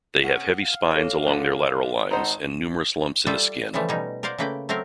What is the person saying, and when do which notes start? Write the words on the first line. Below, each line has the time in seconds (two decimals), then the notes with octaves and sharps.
They have heavy spines along their lateral lines, and numerous lumps in the skin.
0.23 C3 B3 C#4 F#5
0.61 F5
0.91 A4 C#5
1.27 D3
2.11 G#1 D#4 A4 C5 F#5 A#5
3.26 G3 F4 A4 D5 E5 G5
3.74 C#3 E3 F3 G3 A3
3.89 B2 G3 C#4 D#4
4.23 A#4 C5 D5 F5 F#5
4.38 C#3 A3 A#3 B4 G5
4.69 F#3 A3 C4 A#4 F5